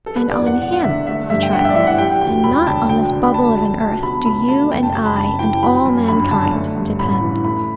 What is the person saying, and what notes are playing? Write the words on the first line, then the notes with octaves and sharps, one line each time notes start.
And on Him, my child, and not on this bubble of an earth, do you and I, and all mankind, depend.
A4
G3 B4
D5
E2
F#5
E1 F#5
F#5
D3 E5
A3 E5
G2 E5
G5
G1 F#5
E5
D5
E3 E5
F#5
G3 G5
D2 G5
E1 B5
D3 A5
D2 G5
D3 G5
B5
D2 A5
F#3 A5
C#2 A5
B2 B5
C#2 B5
A3 A5
F#1 G5
A5
F#2 A5
B5
F#1 A5
E3 G5
F#3 B5
F#2
G1 B5
D3 A5
A3
G2
A1 B5
E3
A3 B5